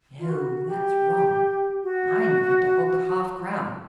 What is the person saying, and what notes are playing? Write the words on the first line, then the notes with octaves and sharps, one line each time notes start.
No, that's wrong--I never doubled the half-crown.
F4
F#4
G4
F#4
F4